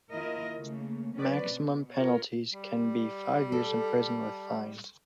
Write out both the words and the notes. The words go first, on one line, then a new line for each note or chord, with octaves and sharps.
Maximum penalties can be five years in prison with fines.
D#2 E4 F4 A#4 D#5
C#3 A3 A#3
F#3 C4 C#4 B4 D5
B2
F4 A#4 C#5
G3
A4